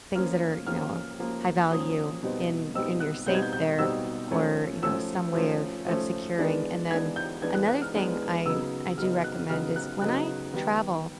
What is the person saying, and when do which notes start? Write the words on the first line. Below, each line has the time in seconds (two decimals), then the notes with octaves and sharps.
things that are, you know, of high value in in your safe there or, you know, some way of of securing, and then another thing I I do recommend is when I travel,
0.15 F3 A#3 C#4 F6
0.67 F3 A#3 C#4 F6
1.19 F3 A#3 C#4
1.71 F3 A#3 C#4 D#6
2.23 B2 G3 C4 D#4
2.75 B2 G3 C4 D#4 E6
3.00 F#6
3.26 B2 G3 C4 D#4 G6
3.35 G#6
3.42 G6
3.53 G6
3.79 B2 G3 C4 D#4 E6
4.31 F3 A3 C#4
4.82 F3 A3 C#4 E6
5.34 F3 A3 C#4
5.87 F3 A3 C#4
6.38 E3 G#3 B3 D4
6.90 E3 G#3 B3 D4 G#6
7.16 G6
7.42 E3 G#3 B3 D4 G#6
7.55 F#6
7.68 F#6
7.82 F6
7.94 E3 G#3 B3 D4
8.45 C#3 F#3 B3 D#4 E6
8.98 C#3 F#3 B3 D#4 F6
9.24 F#6
9.49 C#3 F#3 B3 D#4 F6
9.76 F#6
10.02 C#3 F#3 B3 D#4 F#6
10.53 D#3 G3 B3